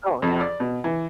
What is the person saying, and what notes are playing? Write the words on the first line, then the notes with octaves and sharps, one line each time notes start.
Oh, yeah.
F2
D5
B2
E3